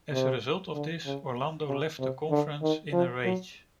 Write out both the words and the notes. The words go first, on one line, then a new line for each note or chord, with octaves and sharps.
As a result of this, Orlando left the conference in a rage.
C3
D3
C#3
C#3
C3
D3
D#3
F3
F#3